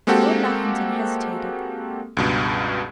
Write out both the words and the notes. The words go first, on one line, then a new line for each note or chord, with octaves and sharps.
Lord Lackington hesitated.
G#3 A#3 C4 F#4 G4 A4
C#2 G2 B2